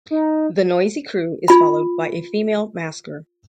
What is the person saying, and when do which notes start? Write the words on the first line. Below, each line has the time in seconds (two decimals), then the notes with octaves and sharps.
The noisy crew is followed by a female masker.
0.11 D#4
1.48 F4 B5